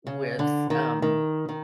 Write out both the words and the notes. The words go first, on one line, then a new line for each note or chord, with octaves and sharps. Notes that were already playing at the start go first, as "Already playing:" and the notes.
with, um,
C#3
D3
D#3
D#3
D#3